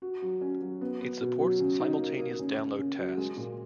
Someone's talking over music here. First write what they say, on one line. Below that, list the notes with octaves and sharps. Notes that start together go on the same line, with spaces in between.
It supports simultaneous download tasks.
F#4
F#3
C#4
F#3
B3
B3
B2
F#3
C#3
D#4
A#3
A#3
C#3
C#3
C#3
F#3
G#3
A#2